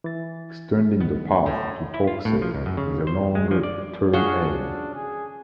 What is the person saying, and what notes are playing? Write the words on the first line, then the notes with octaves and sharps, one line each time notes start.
Extending the path to Torksey is a longer term aim.
E3 A6
D#3 B3
A2
E4
F4
A2
F3
C#2
F#2
C#3
C5
G#3
F3
D5
C#4 D4 F4 F#4 G#4
G#4